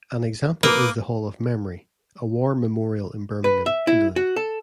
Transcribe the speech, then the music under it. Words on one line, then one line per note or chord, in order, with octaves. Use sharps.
An example is the Hall of Memory, a war memorial in Birmingham, England.
A#3 B4 D6 D#6
B4
E5
E4
F#4
A4